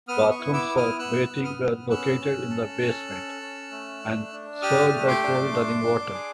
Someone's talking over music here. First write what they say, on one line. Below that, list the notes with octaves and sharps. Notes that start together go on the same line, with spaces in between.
Bathrooms for bathing were located in the basement, and served by cold running water.
B3 D#6 F6
C#6 D#6
E4
D6 E6
B3
D#6 F6
B3 E6 F#6
B3
D#6 F6
B3
C#4 E6 F#6
C#4
A4
C#4
A4
C#4
A3
D4
D4
G4 D#6 F6
A3
C6 D6
D4
D4
D4
G#4